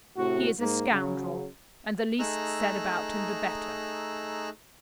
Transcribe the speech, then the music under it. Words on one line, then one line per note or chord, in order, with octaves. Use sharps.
He is a scoundrel, and the least said about him the better.
A2 C3 F#4
G#2 A#3
C#3 F#3
A3 D#4 G#4 A#5 E6 F#6